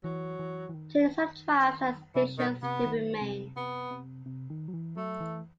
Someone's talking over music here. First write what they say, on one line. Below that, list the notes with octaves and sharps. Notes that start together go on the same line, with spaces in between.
Today some tracks and stations still remain.
E3 F#3
E3
E3
D#3
C3 E3
B2 D#3
C3 B3
D#3
C3
C3 B3
C3
C3
D#3
F#3
E3
F#3 A3
E3